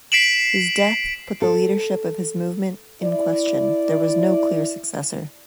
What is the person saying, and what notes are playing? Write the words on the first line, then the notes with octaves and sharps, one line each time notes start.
His death put the leadership of his movement in question-there was no clear successor.
B6 C7 D7 E7 F#7
A4
E4 D5